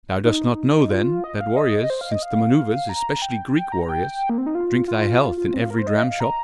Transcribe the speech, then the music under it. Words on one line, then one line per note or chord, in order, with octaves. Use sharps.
"Thou dost not know, then, that warriors, since the manoeuvres, especially Greek warriors, drink thy health in every dramshop."
D#4
F4
D#5
F5
D#5
D#5
C5
F5
D#5
F5
A#5
G5
G5
A#5
G5
A#3
C4
D#4
F4
F4
F4
F4
C4
F4
A#4
C5
D#5
F5
A#5